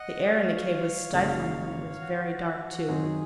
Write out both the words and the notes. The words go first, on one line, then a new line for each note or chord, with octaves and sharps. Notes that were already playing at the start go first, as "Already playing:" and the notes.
The air in the cave was stifling, and it was very dark, too.
Already playing: D#5 F#5
C#5 F5
G#1 F#2 C#3 F#3 A#3
F#4
F#2 D#3 F#3 C4 G#4